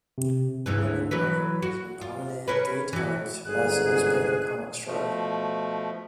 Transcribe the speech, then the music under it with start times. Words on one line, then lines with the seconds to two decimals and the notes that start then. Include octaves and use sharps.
Red and Rover has been nominated three times for Best Newspaper Comic Strip.
0.18 C3
0.66 D2 G#2 E3
1.11 E3 F#3 B4
1.62 F#4
2.01 F4
2.48 C#4 A#4 B4
2.93 E3 F#4
3.45 G1 G#2 G#4 F#6
4.87 B2 F3 A3